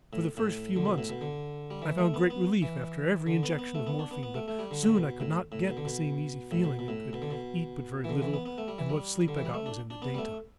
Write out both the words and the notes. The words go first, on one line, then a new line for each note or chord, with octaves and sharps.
For the first few months, I found great relief after every injection of morphine, but soon I could not get the same easy feeling and could eat but very little and what sleep I got was in the daytime.
A2
A2
D3
B2
A2
B2
D3
G3
E3
A3
B3
B3
E3
D3
B3
B3
A3
B3
D4
B3
B3
A3
A3
G3
D3
A2
B2
A2
A2
B2
D3
B2
A2
B2
B2
A2
B2
D3
B2
E3
D3
E3
B3
B3
A3
G3
E3
G3
D3
E3
G3
A3
D4
D4
B3
G3
A3